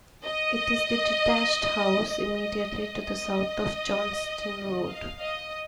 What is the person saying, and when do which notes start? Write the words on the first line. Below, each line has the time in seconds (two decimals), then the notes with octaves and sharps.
It is the detached house immediately to the south of Johnstone Road.
0.24 D#5
2.10 D#5
3.03 D#5
4.89 F5
5.20 D#5